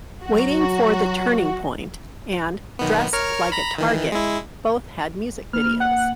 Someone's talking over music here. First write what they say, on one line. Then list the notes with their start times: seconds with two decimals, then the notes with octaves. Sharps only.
"Waiting for the Turning Point" and "Dress Like a Target" both had music videos.
0.24 F#3 F#4
2.79 B1 D#3 B3
3.13 A#4 C#5 F6
3.52 A#5 B5
3.78 D#3 E3
4.12 G#3 E4
5.53 A#3 F6
5.80 F#5